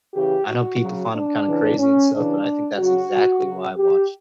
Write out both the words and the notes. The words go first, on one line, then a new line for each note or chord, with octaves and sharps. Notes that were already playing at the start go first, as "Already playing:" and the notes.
I know people find him kinda crazy and stuff, but I think that's exactly why I watch
C#3 E3 G4
F#4
C#3 F#3
D4
C#3 E3
C#4
C#3 E3 D4
C#3 F#3 F#4
C#3 F#3
G4